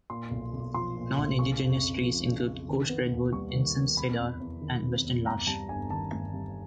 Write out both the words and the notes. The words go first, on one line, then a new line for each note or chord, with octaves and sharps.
Nonindigenous trees include Coast Redwood, Incense-cedar, and Western Larch.
A#2 C6
B1
B1
F3 C6
A#2
B1
C#3 C#6
F2
F2
F3
C#3
F2
D#3
B3
D#2
G3 C#6
D#3
B3
C3 B5
E2
E2
D#3
C3
E2
G2 A#5
G3 A5
G1 G#5
D#3 A5
G2
G3